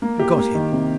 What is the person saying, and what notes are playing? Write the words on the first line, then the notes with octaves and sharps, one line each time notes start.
Got him!
A#3
G4
A#3
D#3
C3